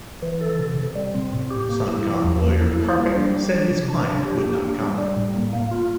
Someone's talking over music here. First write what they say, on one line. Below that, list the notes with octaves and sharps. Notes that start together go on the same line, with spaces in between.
SunCom lawyer Carpick said his client would not comment.
E3
A4
C3
C3
G3
C4
A2
G4
A#3
E4
F3
E2
A#3
E4
A#3
G3
D4
G3
D4
C3
D4
D4
G4
A#3
D4
G3
G3
A2
A#3
A#3
F4